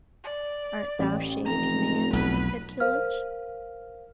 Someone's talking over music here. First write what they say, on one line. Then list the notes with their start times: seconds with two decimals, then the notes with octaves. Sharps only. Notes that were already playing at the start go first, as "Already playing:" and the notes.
"Art thou shaved man?" said Kilhuch.
0.24 D5
0.99 A1
1.45 F1 A#5
2.13 B1 E2 B4
2.80 A#4 C5 F5 F6